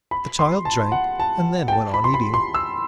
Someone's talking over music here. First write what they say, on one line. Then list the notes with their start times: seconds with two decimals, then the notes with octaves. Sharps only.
The child drank, and then went on eating.
0.11 B5
0.39 C6
0.65 A5
0.92 F#5
1.20 A5
1.68 G5
1.73 A5
1.94 B5
2.04 C6
2.14 B5
2.34 C6
2.54 E6